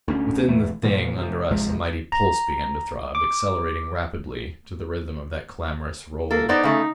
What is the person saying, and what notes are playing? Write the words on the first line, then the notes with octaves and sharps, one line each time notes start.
Within the Thing under us a mighty pulse began to throb, accelerating rapidly to the rhythm of that clamorous roll.
D2 C#4
E1 E3 A3
A#2 E3 F3
C3 F3
A1 C3 F3 G#3
A#5
D6
A#3 A4
B3 D#4 C5 D5
C#3 A3